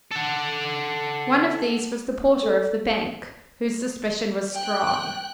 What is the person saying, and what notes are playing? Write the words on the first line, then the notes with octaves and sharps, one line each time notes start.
One of these was the porter of the bank, whose suspicion was strong.
A4 F#5
A4
G5 F#6